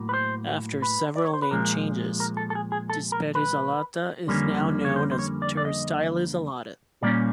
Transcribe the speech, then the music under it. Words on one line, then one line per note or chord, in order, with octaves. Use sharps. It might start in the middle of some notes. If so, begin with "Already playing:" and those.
After several name changes, "Disperis alata" is now known as "Pterostylis alata".
Already playing: A2 F#3 A#3
B4
C5
B4
D5
C#5
C5
B4
A#2 F3 G#3 A#4
A#4
A4
A4
G#4
G#4
A4
A#4
B4
F2 D3 G3 A#3 C#4
C#5
C5
C5
C#5
D5
D5
D#5
A#2 G3 A#3 C#4 D5